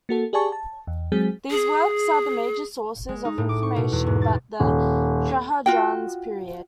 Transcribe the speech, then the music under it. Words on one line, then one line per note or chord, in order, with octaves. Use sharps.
These works are the major sources of information about the Shah Jahan's period.
A#3 F#4 A4
G4 G#4 D5 G#5 A5 C#6
A5
E2
F#3 G#3 C4 G#4
G#4
G#3
D#4
A2
D6
C#6
B2
E2
G#2
A6
D#1
F4 F#4 G5